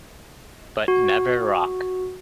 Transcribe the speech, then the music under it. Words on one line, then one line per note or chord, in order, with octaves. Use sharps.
But never rock.
F#4